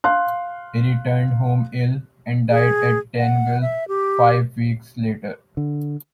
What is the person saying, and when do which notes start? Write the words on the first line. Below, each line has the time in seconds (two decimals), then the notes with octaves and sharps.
He returned home ill, and died at Danville five weeks later.
0.04 F5 C6 F#6
2.50 G#4
3.18 F#5
3.61 E5
3.88 G4
5.57 D3